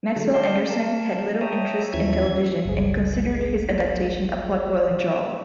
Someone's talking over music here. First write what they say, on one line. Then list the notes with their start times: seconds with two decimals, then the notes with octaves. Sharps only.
Maxwell Anderson had little interest in television, and considered his adaptation a "potboiling job".
0.16 D3 F#3 G#3 A3
0.34 D5 D#5 F5 G5 A5 C6
0.70 A#4 A5
1.41 C#5 E5 G5 A5 A#5 D#6
1.94 D#2 E3 F3 C#4 E5 G#6
2.65 G1 C#2 G#4